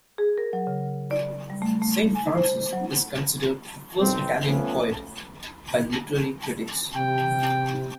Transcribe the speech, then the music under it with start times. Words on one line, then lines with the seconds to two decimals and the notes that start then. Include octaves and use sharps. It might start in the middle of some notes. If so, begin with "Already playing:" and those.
Saint Francis is considered the first Italian poet by literary critics.
0.18 G#4
0.38 A#4
0.53 F#3
0.67 C#3
1.11 D5
1.50 G3
1.62 A3
1.82 A3
2.15 G#5
2.35 C5
2.73 F#3
4.00 B1 C4
4.46 F3 A3 B3 C#4
6.96 C3 G5